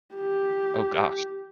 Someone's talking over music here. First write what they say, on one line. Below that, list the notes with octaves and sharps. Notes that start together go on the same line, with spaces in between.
Oh, gosh.
G4